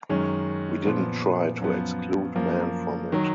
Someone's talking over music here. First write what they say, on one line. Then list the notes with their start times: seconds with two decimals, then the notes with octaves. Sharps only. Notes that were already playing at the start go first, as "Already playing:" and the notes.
We didn't try to exclude men from it.
0.09 F#2 D#3 G#3 C#4
0.85 A#2 F3 B3
1.60 F#2 F3 B3
2.35 F#2 F3 A#3
3.12 D#3 F#3